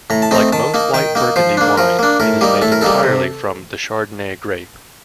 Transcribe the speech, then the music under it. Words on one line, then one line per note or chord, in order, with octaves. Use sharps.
Like most white Burgundy wine it is made entirely from the Chardonnay grape.
A2 A#5
A5
A3 C4 D#4 A#5
D#3 A5
A#3 D#4
D#3 G5
A#3 D#4
F3 C5
A#3 D4
F3 A#4
A#3 D4
A2 A#4
G3 A#3 D#4
A2 A4
A#4
G3 A#3 D#4 A4
C3